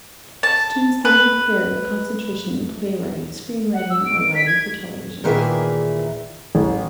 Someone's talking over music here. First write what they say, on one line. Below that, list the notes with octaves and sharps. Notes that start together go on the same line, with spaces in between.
Students then declare a concentration in playwriting, screenwriting, or writing for television.
A5
B4
F#5
E6
D7
D7
B6
G#6
A#2 D#3 E3 G#4 E5
A1